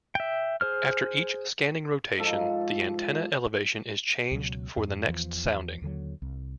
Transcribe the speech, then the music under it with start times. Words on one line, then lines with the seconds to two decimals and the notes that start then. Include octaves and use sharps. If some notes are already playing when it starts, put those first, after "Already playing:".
After each scanning rotation, the antenna elevation is changed for the next sounding.
0.15 E5 G5
0.61 G#4 C5 F6
2.18 G#2 F3 A4
4.31 C#2 B2 F#3
4.77 F2 G#2
5.09 E2 E3 F3
5.82 D#2 D3 F#3
6.22 C2